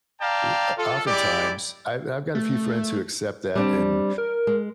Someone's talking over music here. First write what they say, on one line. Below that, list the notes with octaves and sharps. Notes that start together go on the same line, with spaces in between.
o o oftentimes, I've I've got a few friends who accept that and
D5 F5 G5 A5 A#5
F4 A4
G#3 E4 G4 D5
A3
G3 C4 D4
A#4
G#3